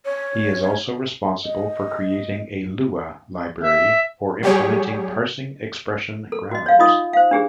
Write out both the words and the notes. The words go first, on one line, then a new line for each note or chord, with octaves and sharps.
He is also responsible for creating a Lua library for implementing parsing expression grammars.
C#5
D#5
E5
F#3 G3 G4 G#4 C#5
A4
F#4 D#5
C#5 F5
D#4 F4 D#5 D#6
C5 F5
D4 G4 G#4